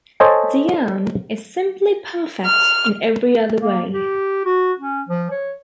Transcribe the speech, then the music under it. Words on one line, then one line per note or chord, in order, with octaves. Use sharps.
Diane is simply perfect in every other way.
A4 C5 C#5 D#5 G#5 A5
F6
A#3
G4
F#4
C#4
F3
C#5